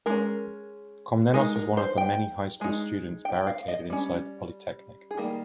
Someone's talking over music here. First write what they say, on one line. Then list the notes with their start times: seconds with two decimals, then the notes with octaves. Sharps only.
Komnenos was one of the many high school students barricaded inside the Polytechnic.
0.06 G#3 C#4 A#4
1.34 G#3 D#4 A#4
1.55 A#4
1.77 C5
1.98 G5
2.61 G#3 D#4
3.25 G5
3.47 F5
3.68 D#5
3.90 G3 C#4
5.11 G#4
5.17 D#3 G3 A#3 A#4